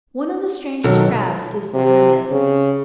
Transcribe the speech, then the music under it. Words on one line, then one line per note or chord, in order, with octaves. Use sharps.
One of the strangest Crabs is the Hermit.
B1 D#3 F#3 A4
C3
C#3